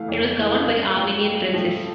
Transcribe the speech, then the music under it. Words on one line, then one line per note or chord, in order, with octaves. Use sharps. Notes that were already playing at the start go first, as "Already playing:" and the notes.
It was governed by Armenian princes.
Already playing: E3 A3 F5
F2
E3 A3
G2 F5
F3 A3 G5
G2
F3 A3